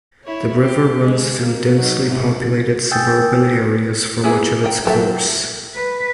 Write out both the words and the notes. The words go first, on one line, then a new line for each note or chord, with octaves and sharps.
The river runs through densely populated suburban areas for much of its course.
E4 C#5
C3 C4 G4
G#3
A#3
F#3 D#4
G#2 C3
G5 G#5 D#6 E6 G6 A6
G#3 A#3 B3 E4 G#4
D#4 G5
F#3 G4 A4 E5
B4